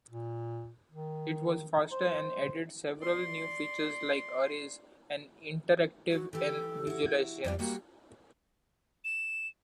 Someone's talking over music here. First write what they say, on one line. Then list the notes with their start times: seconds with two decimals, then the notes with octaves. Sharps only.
It was faster and added several new features like arrays and interactivity in visualizations.
0.10 A#2
0.91 D#3
1.92 C5
2.99 D5 C6
6.12 F#4
6.33 E3 G4 A4
6.87 E4 F#4
7.44 F2 G3 D5 F5
7.59 G3 A#3 F#4
9.05 E7